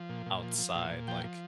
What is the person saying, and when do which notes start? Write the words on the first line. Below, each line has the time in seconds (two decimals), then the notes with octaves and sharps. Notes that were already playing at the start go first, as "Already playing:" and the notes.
outside, like,
Already playing: F3
0.09 A#2
0.26 A#2
0.43 F3
0.58 F3
0.75 A#2
0.91 A#2
1.08 F3 G5
1.24 F3